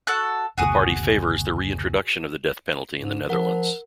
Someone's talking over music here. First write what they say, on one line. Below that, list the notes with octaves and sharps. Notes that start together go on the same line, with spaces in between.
The party favours the re-introduction of the death penalty in the Netherlands.
F#4 A4 F#6
F#1 D2 B2 F#4 G#4 D#6
G#2
F3 A#4 F#5